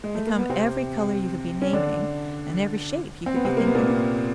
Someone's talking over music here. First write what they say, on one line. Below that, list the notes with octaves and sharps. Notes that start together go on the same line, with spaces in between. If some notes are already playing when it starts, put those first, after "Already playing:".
They come every color you could be naming, and every shape you could be thinking up.
G#3
A3
A#3
B3
C3 C4
C#4
D3 D4
C4
B3
C3 C4
A#3
B3
A#2 A#3